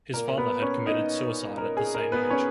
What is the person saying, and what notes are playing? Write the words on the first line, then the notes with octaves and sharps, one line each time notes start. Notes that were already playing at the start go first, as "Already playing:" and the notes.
His father had committed suicide at the same age.
A#2 A#3 A#4
B3 B4
C#4 C#5
D#4 D#5
A#4
G#4
A#4
B3 B4
C#4 C#5